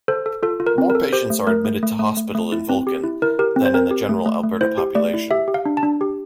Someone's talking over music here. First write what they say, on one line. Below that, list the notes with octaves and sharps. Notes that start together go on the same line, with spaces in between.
More patients are admitted to hospital in Vulcan than in the general Alberta population.
A4 C5
A4
F4 A4
F4
A#4
C4
A#4
A4
G4 C5
A3
A3 A#4
A3
A3
A3
A3
A3
E4
C4
G4
E4
E4 A#4
G4 A#4
C4
C5
C4 A#4
G4
A3
A3
A3
E4 C5
G4
A3 D5
E4
G4 E5
G4
F5
D4
A5
D4
G4